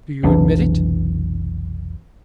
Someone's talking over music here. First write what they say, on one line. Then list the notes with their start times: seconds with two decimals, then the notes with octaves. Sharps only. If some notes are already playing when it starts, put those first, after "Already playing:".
Do you admit it?
0.23 F1 B1 E3 D4